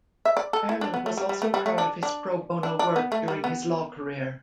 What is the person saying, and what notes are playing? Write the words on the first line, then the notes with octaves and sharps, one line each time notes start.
Ireland was also proud of his "pro bono" work during his law career.
E5
D5
A4
E4
D4
B3
A3
G3
G3
A3
G3
A3
D4
D4
D4
D4
B3
A3
G3
B3